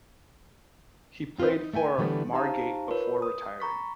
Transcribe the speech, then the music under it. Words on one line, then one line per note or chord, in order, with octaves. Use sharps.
He played for Margate before retiring.
C4 F4 G#4 B4 C5
D#4
A3 E5 G5 G#5
D3 E3 G3 A3 B3
D#4 G4 C5 F5 A5 A#5
F4 A#4 B4 C#5
D#6
A#5 B5 C#6 A6 B6